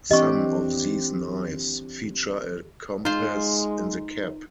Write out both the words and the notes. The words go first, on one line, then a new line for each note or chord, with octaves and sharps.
Some of these knives feature a compass in the cap.
E3 C4 D4 G4 D#5 C#6
G#3 D#4 F4 C5